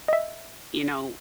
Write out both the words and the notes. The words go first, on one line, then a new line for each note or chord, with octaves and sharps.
you know
D#5 E5